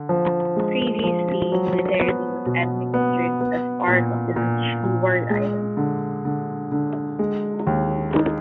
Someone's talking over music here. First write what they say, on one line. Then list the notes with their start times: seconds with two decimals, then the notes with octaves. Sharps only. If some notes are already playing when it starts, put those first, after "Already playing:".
Previously, the territory was administered as part of the British Leeward Islands.
Already playing: D3
0.09 F3
0.56 G#3
1.04 F3
1.52 F#3
1.99 B3
2.46 B2
2.94 B3
3.41 B3
3.88 A#2
4.36 A#2
4.83 A#2
5.30 G#3
5.77 D3
6.25 D3
6.72 D3
7.19 G#3
7.67 D#2
8.15 D#4